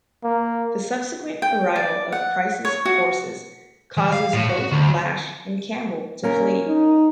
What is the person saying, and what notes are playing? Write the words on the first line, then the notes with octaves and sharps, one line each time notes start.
The subsequent arrival of Price's forces causes both Lash and Campbell to flee.
A#3
G5
D5
F#5
C#5
F#4
E3
F5
A2
F#4
D2
A#3 C#4 A#4
D#4